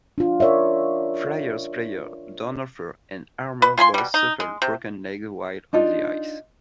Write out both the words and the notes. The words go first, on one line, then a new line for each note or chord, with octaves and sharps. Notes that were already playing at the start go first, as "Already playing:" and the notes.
Flyers players Dornhoefer and Harmer both suffered broken legs while on the ice.
D4 F4
A#4 C#5 D5 E5
B4
F4 G#5 B5 C6
B2 G3
D#4
G#3
C3
D4 D#4 F4